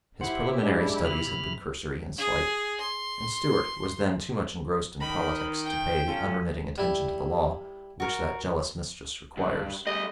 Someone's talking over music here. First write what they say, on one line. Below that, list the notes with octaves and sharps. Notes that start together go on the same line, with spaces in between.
His preliminary studies had been cursory and slight, and Stuart was then too much engrossed in politics to pay the unremitting attention to the law which that jealous mistress requires.
E4 G4 C5 F#5
G#3 D4
C3 B5 F6
G#4
C6
D#3 B5
G5
C#4 F4 A4
G3 E4
F#4 A#4
G2
G3 A3 D#5